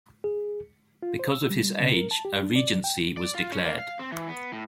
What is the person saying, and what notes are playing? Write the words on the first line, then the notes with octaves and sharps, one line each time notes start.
Because of his age, a regency was declared.
G#4
F4
C5
E6
G3
C#3
A#4
A5
G4
D4
D5
G5
D5
F4
C#4
A#3
F5
C4
E3
B3
A2